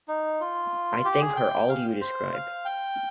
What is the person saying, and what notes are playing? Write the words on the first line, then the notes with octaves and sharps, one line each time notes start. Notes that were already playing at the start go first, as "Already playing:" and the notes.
I think her all you describe.
D#4
F4
G4
G#4
G5
F5
C5
F5
G5